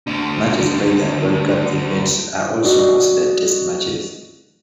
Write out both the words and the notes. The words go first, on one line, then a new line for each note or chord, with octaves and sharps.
Matches played at World Cup events are also considered Test matches.
D2 D3
D#4 F#4 D5 D#5